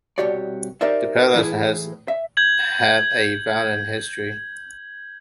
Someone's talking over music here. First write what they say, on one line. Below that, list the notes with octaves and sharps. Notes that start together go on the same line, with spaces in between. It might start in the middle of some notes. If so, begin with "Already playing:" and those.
The palace has had a violent history.
C2 B2 F#4 G4 C#5 D5
D#4 G4 A#4 C5 D5 E5
A2 E3 E4 G#4
E5
G6 G#6 F#7